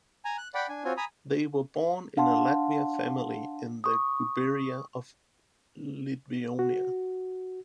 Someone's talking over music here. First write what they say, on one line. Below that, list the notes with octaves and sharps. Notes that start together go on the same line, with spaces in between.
They were born in a Latvian family in the gubernia of Livonia.
G#5 A#5
F#6
D5 F#5 G5 B5
D4 G#5
C4 F4 F#4 C#5 G#5
G#5 A#5 B5 D#6
D4 F5 F#5 A5 C6
C#6 D#6
F#4